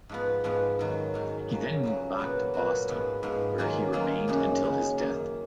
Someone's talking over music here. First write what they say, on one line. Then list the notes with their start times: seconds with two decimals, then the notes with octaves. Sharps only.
He then moved back to Boston, where he remained until his death.
0.09 G#2 F3 B3
0.44 G#2 F3 B3
0.79 G#2 D#3 F#3
1.14 G#2 D#3 F#3
1.49 F2 C#3 F#3
1.83 F2 C#3 F#3
2.18 A#2 F#3 B3 F#4
2.54 A#2 F#3 B3 F#4
2.88 G#2 F3 B3
3.23 G#2 F3 B3
3.58 D#3 F#3 A#3 F4 G#4
3.93 D#3 F#3 A#3 F4 G#4
4.28 F#2 C#3 G#3 D#4
4.63 F#2 C#3 G#3 D#4
4.97 F#2 D#3 A#3